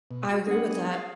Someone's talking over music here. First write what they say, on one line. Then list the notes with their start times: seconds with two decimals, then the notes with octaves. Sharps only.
I agree with that.
0.11 B2
0.30 F#4
0.47 G3 B3 D4 G#4 F#5
0.70 G#4
0.92 F5 A#5